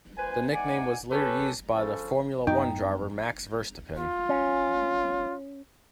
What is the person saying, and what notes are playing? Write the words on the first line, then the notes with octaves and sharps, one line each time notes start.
The nickname was later used by the Formula One driver Max Verstappen.
A#2 B4 C5 G#5
G#2 D5 F#5 G#5
C#4 G4 A4 B4 C#5
C#3 F3 C#4 A4
F#2 B3 D#4 G5
F4
C#4